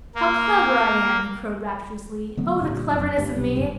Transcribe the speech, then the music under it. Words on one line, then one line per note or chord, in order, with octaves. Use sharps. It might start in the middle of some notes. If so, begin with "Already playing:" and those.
"How clever I am!" he crowed rapturously, "oh, the cleverness of me!"
A#3
D3 F#3 A3 B3
A#2 D3 G3
F1 F#2
D2 G2
B1 C3
F#1 G2 D3 G3